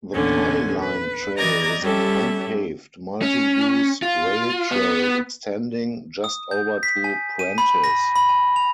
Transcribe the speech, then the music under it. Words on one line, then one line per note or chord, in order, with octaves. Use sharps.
The Pine Line Trail is an unpaved, multi-use rail-trail extending just over to Prentice.
E2 A#2 D3 C#4 G#5
B4
E3 D5 D#5 A#5 D6 G#6
G3 C#4 G4 A4 E5
C#4
F4
B3
D#6
G6
B6
G#5
D#7
B5
A#6
B5
G#5
F7